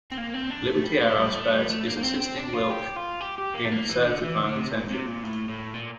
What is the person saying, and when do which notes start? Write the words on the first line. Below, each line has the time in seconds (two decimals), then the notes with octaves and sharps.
Liberty Aerospace is assisting Wilksch in certifying this engine.
0.12 C4
0.18 A#3
0.34 C4
0.50 D4
0.68 A3
0.84 G3
1.01 A3
1.18 G3
1.35 A3
1.52 G3
1.70 A3
1.86 A#3
1.97 A#3
2.03 C4
2.20 C4
2.37 D4
2.53 F4
2.70 G4
2.96 F4
3.21 G4
3.38 G4
3.54 A#3
3.65 A3
3.71 A#3
3.89 E3
4.06 D3
4.22 E3
4.39 D3
4.56 C3
4.73 A#2
4.89 C3
5.06 A#2
5.23 A2
5.49 A2
5.74 A#2